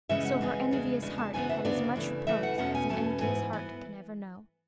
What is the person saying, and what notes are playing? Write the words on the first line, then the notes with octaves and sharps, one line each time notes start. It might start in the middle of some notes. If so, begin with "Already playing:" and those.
So her envious heart had as much repose as an envious heart can ever know.
C#3 E3 G#3 C#4 E5
F#5
C#3 E3 G#3 C#4
E2 C#3 G#3 D4
E2 C#3 G#3 D4
A5
D2 C#3 E3 B3 D4 G#5
E5
D2 C#3 E3 B3 D4 D5
C#3 E3 A3
C#3 E3 A3 E5
F#5
E2 B2 A3 C#4 F#5
G#5
E2 B2 A3 C#4 A5
G#2 E3 B3 G#5
E3 B3